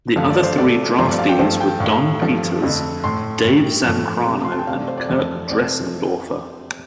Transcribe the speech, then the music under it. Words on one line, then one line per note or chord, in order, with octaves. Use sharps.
The other three draftees were Don Peters, Dave Zancanaro and Kirk Dressendorfer.
G2 D3 F3 A3 F5
D5
C5
C3 A3 D5
G2 F3 A3 C5
D5
F5
G5
G2 F3 A3 C5
G5
A2 A3 F5
G2 F3 A3
F2 D3 A3
A2 A3 C6
A2 G3
A2 F3 A3
C3 A3
C6
A5
G5
C3 A3 F5
D5
C5
D5
F2 F3 A3
C3 A3 D5
C5